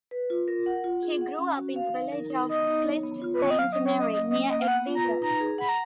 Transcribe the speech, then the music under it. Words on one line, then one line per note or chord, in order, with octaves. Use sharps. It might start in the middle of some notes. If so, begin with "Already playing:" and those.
He grew up in the village of Clyst Saint Mary, near Exeter.
B4
F4
A#4
F#5
F4
G#4
F#5
C#4
F#4
F5
D#4
A#4
D#4
B3 D#5
D#4
C#5
B3
F4
B4
B3 C#5
D#5
F#3 F5
D#5
C#4
C#5
F#3
D#5
A#3 D#5
C#4 D#5
A#3 D#5
F5
B3 F#5
F4
A#5
B4
D#4 A#5
G#4
F#5 B5
A#5